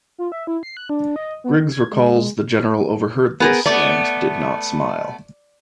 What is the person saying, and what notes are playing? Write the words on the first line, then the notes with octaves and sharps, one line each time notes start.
Griggs recalls the General overheard this and "did not smile".
F4
E5
E4
C7
F#6
D4
D#5
B3
D#3
G#6
G#3
G#3
B3 G#4 A#4
A3 B3 D5